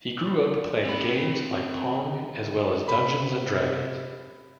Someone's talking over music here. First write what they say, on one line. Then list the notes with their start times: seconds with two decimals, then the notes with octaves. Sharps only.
He grew up playing games like "Pong" as well as "Dungeons and Dragons".
0.85 C4 B5
2.88 C3 B5